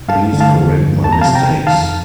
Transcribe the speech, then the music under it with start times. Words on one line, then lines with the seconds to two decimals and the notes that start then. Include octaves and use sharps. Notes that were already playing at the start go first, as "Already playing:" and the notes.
Please correct my mistakes.
Already playing: C2
0.08 G2 F5 A5
0.33 D3
0.40 F5 A5
0.57 F3
0.80 G2
1.04 F2 A5
1.13 A#5
1.21 F5 A5
1.27 C3
1.35 G5 A#5
1.51 D#3
1.67 F5 A5
1.75 F2